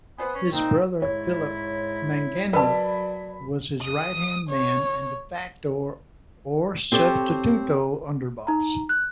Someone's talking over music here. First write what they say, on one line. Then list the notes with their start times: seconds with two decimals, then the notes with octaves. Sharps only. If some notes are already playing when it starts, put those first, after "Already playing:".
His brother Philip Mangano was his right-hand man and "de facto", or "substituto", underboss.
0.18 B3 B4 C5 G#5
0.35 C#4
0.52 A#2 A#3 C4 D#4
1.02 G#2 E4 C#5
2.53 F#3 A#4 B4 D5 A5 B5
3.82 D#6
4.49 C#5
6.92 C4 G4 A4 C#5
8.47 D#4 A#5
8.89 F#6